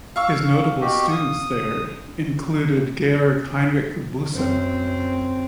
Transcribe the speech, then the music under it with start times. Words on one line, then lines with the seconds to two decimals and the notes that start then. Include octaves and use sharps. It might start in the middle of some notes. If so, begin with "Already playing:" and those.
His notable students there included and Georg Heinrich Busse.
0.16 F5 C#6 E6
0.81 B2 F#4 G4
1.11 D#6
4.33 F#2 C4